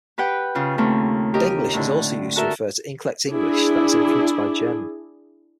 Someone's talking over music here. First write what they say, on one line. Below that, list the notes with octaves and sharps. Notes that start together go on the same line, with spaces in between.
Denglish is also used to refer to incorrect English that is influenced by German.
G4 B4 F#5 G5
C#3 F4
D#2 C#3 A3 C4
G4 A#4 D#5
A2 D3
F#4 A4 A#4 E5
D4 E4 G#4